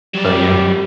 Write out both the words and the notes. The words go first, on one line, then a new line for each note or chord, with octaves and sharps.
So, yeah.
F#3 G3 D5